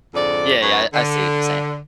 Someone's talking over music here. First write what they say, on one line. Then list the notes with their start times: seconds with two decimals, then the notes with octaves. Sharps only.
Yeah, yeah, I see what you're saying.
0.14 F2 G#2 D3 D5
0.61 F#2 D#4 B4 C#5
0.93 D3